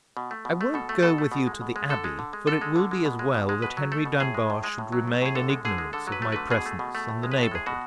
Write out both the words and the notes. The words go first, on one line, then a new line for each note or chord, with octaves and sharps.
I won't go with you to the Abbey; for it will be as well that Henry Dunbar should remain in ignorance of my presence in the neighbourhood.
B2
A3
B2
A3
B2 A4
A3
B2 A4
A3
B2
G#3
B2
G#3
D3 A4
G#3
D3
G#3
D3 A4
G#3
D3
G#3
B2
G#3
B2
G#3
B2 B4
F#3
A3 A4
B2
A2 G#4
G#3
A2
G#3
A2
F#3
A3
A2 G#4
D3 A4
G#3
D3 G#4
G#3
D3 A4
F#3 B4
A3
D3 B4
B2 G#4
A3
B2
A3
A2
G#3
B4
A2
A4
G#3 G#4
B2 F#4